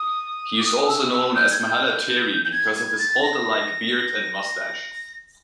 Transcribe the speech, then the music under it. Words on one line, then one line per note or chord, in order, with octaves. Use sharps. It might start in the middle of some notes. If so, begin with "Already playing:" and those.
He is also known as "Mahaletere" because of his halter-like beard and mustache.
Already playing: D#6
D6
D#6
E6
E6
G6
G#6
G6
G6
G#6
G#6
A6
A#6